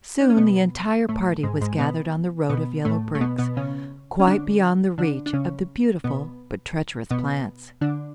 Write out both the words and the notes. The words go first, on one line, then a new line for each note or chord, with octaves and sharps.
Soon the entire party was gathered on the road of yellow bricks, quite beyond the reach of the beautiful but treacherous plants.
D4
C#4
B2 B3
A2 A3
G#2 G#3
G#2 G#3
B2 B3
B2 B3
A2 A3
A3
B2 B3
B2 B3
C#3 C#4
C#4
D3 D4
D3 D4
D4
C#3 C#4
B2 B3
B2 B3
D3 D4